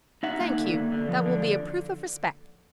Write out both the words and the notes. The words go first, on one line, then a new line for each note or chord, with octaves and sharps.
"Thank you; that will be a proof of respect."
D#4 E5 F#5
A#3
D3
A#3
D3
F3
D3